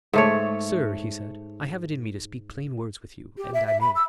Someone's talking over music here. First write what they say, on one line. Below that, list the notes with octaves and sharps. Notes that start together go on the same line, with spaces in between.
"Sir," he said, "I have it in me to speak plain words with you, and I may."
G#2 A3 C#5
G4
E5
E5
B5
E6